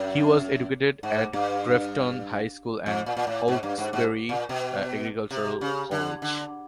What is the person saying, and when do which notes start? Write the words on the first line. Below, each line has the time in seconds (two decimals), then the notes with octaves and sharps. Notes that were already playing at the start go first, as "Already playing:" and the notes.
He was educated at Grafton High School and Hawkesbury Agricultural College.
Already playing: F#2
1.03 G#2
1.33 G2
2.86 F2
3.06 A#2
3.17 A#2
3.27 A2
3.48 G#2
3.63 G2
3.78 G#2
3.93 G#2
4.29 A#2
4.49 B2
5.31 C3
5.61 C#3
5.91 D3
6.22 D3